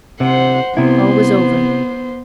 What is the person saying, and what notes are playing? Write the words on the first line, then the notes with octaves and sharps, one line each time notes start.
All was over.
C3 C5 F#5
C3 B3 E4 C5